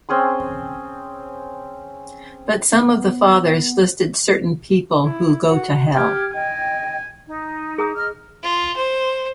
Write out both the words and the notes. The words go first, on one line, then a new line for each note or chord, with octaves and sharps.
But some of the fathers listed certain people who go to hell.
C4 C#4 G#4 C6
B3
E4
F#4
G4 F6 G#6
D#5 G5 G#5
D#4
G#4 A#5 D#6
D#5 F6
F4
C5